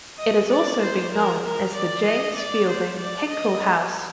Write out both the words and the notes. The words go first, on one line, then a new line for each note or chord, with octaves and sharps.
It has also been known as the James Fielding Hinkle House.
D#5
D5
C5
A#4
A#4
D5
D#5
D5
C5
D5
D#5